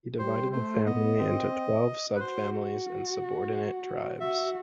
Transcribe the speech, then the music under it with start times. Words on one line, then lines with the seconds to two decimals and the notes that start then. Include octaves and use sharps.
He divided the family into twelve subfamilies and subordinate tribes.
0.19 G3 C5
0.52 A3 C5
0.86 B3 D#5
1.19 C4
2.15 B4
2.20 F#4 C5
4.20 F#4 E5